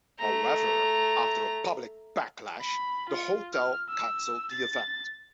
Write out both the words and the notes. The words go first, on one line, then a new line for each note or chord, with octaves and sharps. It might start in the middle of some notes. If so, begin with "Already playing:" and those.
However, after a public backlash, the hotel cancelled the event.
A3 A#5
B5
F4
F6
E6
A6